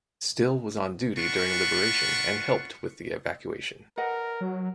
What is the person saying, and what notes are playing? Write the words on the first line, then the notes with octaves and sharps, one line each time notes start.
Still was on duty during liberation and helped with the evacuation.
D4 F4 B4 F#5 C#6
A#4 B4 D#5 F#5
F#3